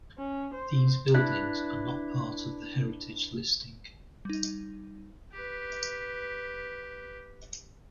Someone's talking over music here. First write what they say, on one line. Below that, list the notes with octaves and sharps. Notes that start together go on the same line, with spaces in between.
These buildings are not part of the heritage listing.
C#4
C5
D4 E4 B4
G3 D#4
G4 B4